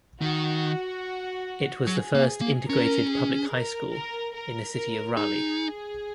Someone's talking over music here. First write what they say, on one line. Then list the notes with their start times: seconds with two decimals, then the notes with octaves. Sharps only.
It was the first integrated public high school in the city of Raleigh.
0.21 D#3 F#4
1.86 F#3 G#4
2.14 A#3
2.41 A#3
2.69 C#4 A#4
3.10 G#4
3.52 A#4
3.93 A#4
4.34 A#4
4.75 A#4
5.17 D#4 G#4